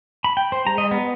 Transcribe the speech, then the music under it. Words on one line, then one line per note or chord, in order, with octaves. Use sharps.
You know
B5
G5
C5
A#5
D#5
B3